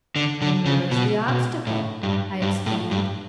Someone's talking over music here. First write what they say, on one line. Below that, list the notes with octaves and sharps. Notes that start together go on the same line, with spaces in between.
"Then where is the obstacle?" I exclaimed.
D3
D3
C#3
B2
B2
A2
G2
G2
A2
G2